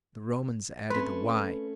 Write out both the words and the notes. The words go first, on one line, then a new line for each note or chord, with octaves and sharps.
The Romans added the y.
A3 C4 C#4 B4 C6